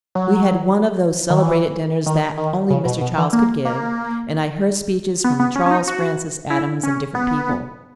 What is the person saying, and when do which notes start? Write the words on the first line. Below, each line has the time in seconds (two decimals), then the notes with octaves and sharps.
We had one of those celebrated dinners that only Mr. Childs could give, and I heard speeches from Charles Francis Adams and different people.
0.15 F#3
1.30 D#3
1.42 E3
2.06 D#3
2.38 D#3
2.70 C#3
2.85 B2
3.01 B2
3.18 E3
3.33 A#3
3.65 A#3
5.24 B3
5.40 B3
5.56 C#4
5.66 C#4
5.71 D#4
5.88 F#4
6.50 E4
6.83 C#4
7.15 B3